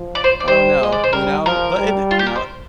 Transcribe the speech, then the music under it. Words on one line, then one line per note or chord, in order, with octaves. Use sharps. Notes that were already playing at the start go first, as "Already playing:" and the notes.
I don't know." You know? But it d you know
Already playing: F3
D5
C5
D5
G3 C5
G#3 D#5
D5
C5
G3 A#4
F3 A#4
G3
F4
G4
A#4
C5